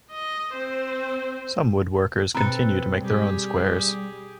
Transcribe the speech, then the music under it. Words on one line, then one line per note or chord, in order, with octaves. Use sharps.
Some woodworkers continue to make their own squares.
D#5
C4 C5
B2 C4 A4 B4 A#5
G3 G4 G#4